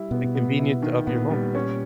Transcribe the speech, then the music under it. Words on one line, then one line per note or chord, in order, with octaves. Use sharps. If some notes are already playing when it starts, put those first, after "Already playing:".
The convenience of your home.
Already playing: G3 E4
B2 B3
B3
E4
D#3
A#2 B3
G3
C#4